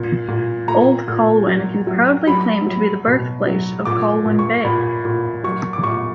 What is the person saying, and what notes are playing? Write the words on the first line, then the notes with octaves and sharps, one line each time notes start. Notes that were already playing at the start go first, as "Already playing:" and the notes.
Old Colwyn can proudly claim to be the birthplace of Colwyn Bay.
Already playing: A#2
A#2
A#2 A#5
A#2
F#3
F#3
F#3 B5
F#3
B2
F#3
A#2 D6
A#2
C#6
A#2 B5
A#2
F#3 C#6
D6
A#2 C#6